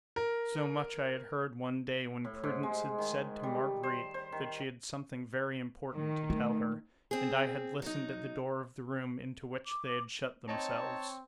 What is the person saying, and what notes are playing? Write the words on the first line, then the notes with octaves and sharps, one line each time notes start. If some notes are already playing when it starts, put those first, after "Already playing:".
So much I had heard one day when Prudence had said to Marguerite that she had something very important to tell her, and I had listened at the door of the room into which they had shut themselves.
A#4
A2
G#2
G#3
D#3
G3
C5
C5
D#3
D#3
A3
C4 G#4
F#3 D#4
D6
C4 D#4 C#5 D#5 A5 A#5